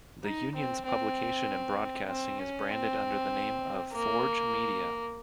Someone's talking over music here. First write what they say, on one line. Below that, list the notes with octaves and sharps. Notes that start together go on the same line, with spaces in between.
The union's publication and broadcasting is branded under the name of Forge Media.
D#4
C4
C4
C4
C#4
C4
A#3